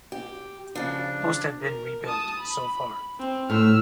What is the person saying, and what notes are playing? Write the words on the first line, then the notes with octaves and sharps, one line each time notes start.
Most have been rebuilt so for.
G4
C#3 F3 D4
A#4
A5 D#6
B5
C4
A2 E6 F6